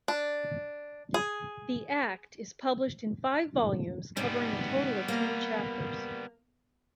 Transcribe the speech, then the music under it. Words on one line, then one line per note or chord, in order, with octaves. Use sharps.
The Act is published in five volumes covering a total of ten chapters.
D4
G#4
G#2 C3 G3 B3
A#3